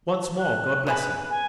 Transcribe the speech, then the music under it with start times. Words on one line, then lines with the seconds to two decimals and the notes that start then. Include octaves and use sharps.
Once more, God bless you!
0.39 F#6
0.87 B3 G#4 B4
1.30 G#5